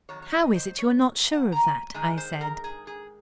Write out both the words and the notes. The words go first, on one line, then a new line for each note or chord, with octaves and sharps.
"How is it you are not sure of that?" I said.
F2 D#3 F#3 C#5
C#5
D#5
C5
C#5
F#5
A#5
G#5
G#2 D#3 G#3 G#5
C5
A#4
G#4
G#4